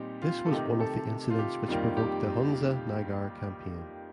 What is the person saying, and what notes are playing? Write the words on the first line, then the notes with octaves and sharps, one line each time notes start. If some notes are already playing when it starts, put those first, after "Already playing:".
This was one of the incidents which provoked the Hunza-Nagar Campaign.
Already playing: A#2 G3 C4 D#4 G4
F4
A4
C3 D#3 A3 D#4 G4
A4
F4
G4
F2 D#3 G3 A#3 F4
G4